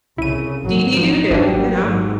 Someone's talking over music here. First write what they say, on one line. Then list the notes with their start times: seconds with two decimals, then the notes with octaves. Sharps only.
Dee Dee, Doo Doo, you know?
0.18 C2 C#3 E4 D#7
0.63 G#1 F#3
0.97 F3 D#4
1.30 G#1 F#3 G3 D4
1.87 G#2 F#3